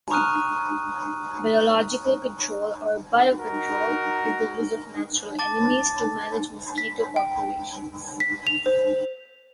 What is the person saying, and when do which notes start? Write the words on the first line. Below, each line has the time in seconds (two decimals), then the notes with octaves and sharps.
Biological control or "biocontrol" is the use of natural enemies to manage mosquito populations.
0.11 A#5 C#6 D#6 F6 F#6 D#7
3.38 D#4 F#4 A#4
5.39 A5 D6 A6
6.78 B6
7.16 G5
8.20 B6
8.47 F7
8.66 C5